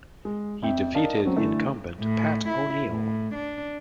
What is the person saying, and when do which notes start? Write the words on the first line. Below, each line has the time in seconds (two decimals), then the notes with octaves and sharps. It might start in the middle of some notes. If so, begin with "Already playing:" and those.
He defeated incumbent Pat O'Neill.
0.25 G#3
0.62 F2 E5 G5
0.94 A#4 D5 D#5 F5 A5
1.25 F#3 C4 C#4
1.36 D3 E3 A3 A4
2.00 A2
2.49 E4
2.86 A2
3.34 D4